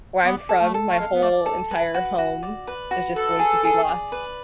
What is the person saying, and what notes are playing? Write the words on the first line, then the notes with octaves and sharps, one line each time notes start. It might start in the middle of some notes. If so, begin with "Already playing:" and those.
where I'm from, my whole entire home is just going to be lost
B3 D5
A4
A3
A4
A3
G#3 F5
B3
A3 D5
A4
B4
F#4
F#4
D5
B4
F#4
A4 B4
G#4
G#4
D5
B4